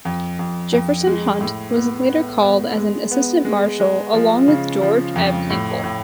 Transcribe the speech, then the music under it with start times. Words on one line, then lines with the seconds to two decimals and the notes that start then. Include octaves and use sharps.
Jefferson Hunt was later called as an Assistant Marshall along with George M. Hinkle.
0.05 F2
0.39 F2
0.73 F2
1.07 G#3
1.41 A2
1.75 B3
2.09 B3
2.43 B3
2.77 G#3
3.11 B3
3.45 G#3
3.80 G#3
4.14 F3
4.48 C#3
4.82 F3
5.16 F2
5.50 A2
5.84 A2